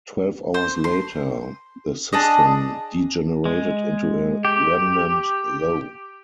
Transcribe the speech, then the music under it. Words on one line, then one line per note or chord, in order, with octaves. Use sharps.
Twelve hours later, the system degenerated into a remnant low.
C5
C6
D4 G#4 D#5
G#3
G4